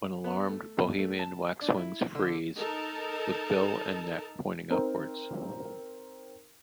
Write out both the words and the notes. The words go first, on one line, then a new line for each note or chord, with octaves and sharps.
When alarmed, Bohemian waxwings "freeze" with bill and neck pointing upwards.
B3
A3
B2
A3
A5
D4
E4
D3
D#4 A4 A#4 A5
C4 D#4 A#4